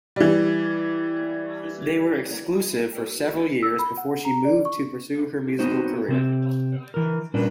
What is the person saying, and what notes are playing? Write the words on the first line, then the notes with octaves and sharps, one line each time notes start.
They were exclusive for several years before she moved to pursue her musical career.
E3 G3
E6
B5
F#5
A#5
D5
C#6
B3 C4 D#4 F#4 C5
C3 C4
E3 A#4
A#2 G3 C#4 D4 A#4 B4